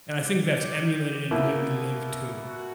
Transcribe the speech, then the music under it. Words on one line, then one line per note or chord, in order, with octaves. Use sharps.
And I think that's emulated in the way we live, too.
G4
B2 A#3 E4
F#4